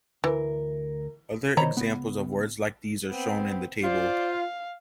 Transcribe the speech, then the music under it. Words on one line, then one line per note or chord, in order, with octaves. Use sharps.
Other examples of words like these are shown in the table.
D2 E3 A#4
D#3 C5 C#5 D#5 A#5 B5
C#2 B3
B3 C4
F4 C5 D5
F5